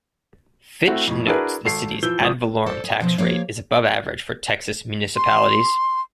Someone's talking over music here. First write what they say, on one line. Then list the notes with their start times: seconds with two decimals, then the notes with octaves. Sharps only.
Fitch notes the city's ad valorem tax rate is above average for Texas municipalities.
0.87 A3 C4 E4 F#4
1.08 F2 A2
1.26 D4 E4 F#4 G#4 A#4 B4
1.65 G#1 A4 C7
2.03 E3 F3 E6 G6 G7
2.20 G#1 F3 D5 D#6
2.66 A4 C5 D5
2.84 G#4
3.00 B2 F3 C4
3.18 F3 A#3 G4 C#5 F5
5.16 C6